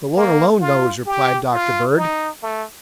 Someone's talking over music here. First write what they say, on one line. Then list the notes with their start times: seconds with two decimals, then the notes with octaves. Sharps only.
"The Lord alone knows," replied Dr. Bird.
0.16 A#3
0.61 F4
1.06 G4
1.52 F4
1.98 D#4
2.43 A3